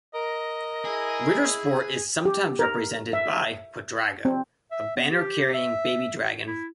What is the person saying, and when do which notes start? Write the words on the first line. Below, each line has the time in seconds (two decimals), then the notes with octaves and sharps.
Ritter Sport is sometimes represented by "Quadrago", a banner-carrying baby dragon.
0.14 A#4 D#5
0.85 E4 G#4
2.25 G4
2.59 A#4
3.13 E5
4.25 C4
4.71 E5
4.96 B3
5.11 G4
5.53 E5
6.47 E4